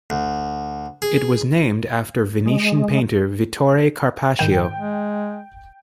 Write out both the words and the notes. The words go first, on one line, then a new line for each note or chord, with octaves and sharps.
It was named after Venetian painter Vittore Carpaccio.
D2
G#4
G#3
G#2 D#3 G5 G6
G#3